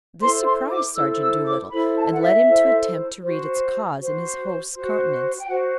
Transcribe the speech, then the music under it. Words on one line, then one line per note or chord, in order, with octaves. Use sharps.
This surprised Sergeant Doolittle and led him to attempt to read its cause in his host's countenance.
E4 A4 C5 C6
C6
D6
E4 A4 C5 E6
E6
D6
E4 A4 C5 B5
A5
F#5
E5
E4 A4 C5
F#4 C5
F#4 C5
F#4 C5
G5
F#4 C5 F#5